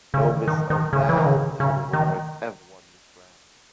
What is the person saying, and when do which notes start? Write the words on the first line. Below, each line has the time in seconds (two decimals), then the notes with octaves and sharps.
No Miss Auvergne titleholder has ever won Miss France.
0.14 C#3
0.25 D#3
0.48 D#3
0.70 D#3
0.93 C#3
1.09 E3
1.17 D#3
1.26 C#3
1.60 C#3
1.93 D#3